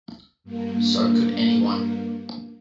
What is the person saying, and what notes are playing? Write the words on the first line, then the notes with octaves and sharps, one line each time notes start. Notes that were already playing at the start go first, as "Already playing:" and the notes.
So could anyone.
G2 A#3